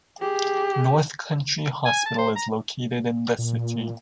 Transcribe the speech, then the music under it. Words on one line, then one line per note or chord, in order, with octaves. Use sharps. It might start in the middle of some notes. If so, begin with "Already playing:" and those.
North Country Hospital is located in the city.
G4 G#4
G#5
A5
C5
A#5
A#2